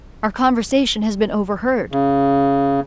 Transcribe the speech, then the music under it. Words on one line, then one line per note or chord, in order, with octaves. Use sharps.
"Our conversation has been overheard."
C#3